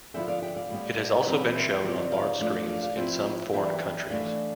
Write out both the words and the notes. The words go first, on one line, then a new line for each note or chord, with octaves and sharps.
It has also been shown on large screens in some foreign countries.
D3 F3 B3 E4 E5 G5
D5 F5
E5 G5
D5 F5
A2 G3 B3 D4
E3 G3 C4 E4 B4 D5
C5 E5
D3 F3 C4 E4 B4 D5
D5 F5
F3 A3 D4 D5 F5
D5 F5
D5 F5
F3 C4 E4 C5 E5
E3 B3 D4 E5 G5
E3 A3 D4 D5 F5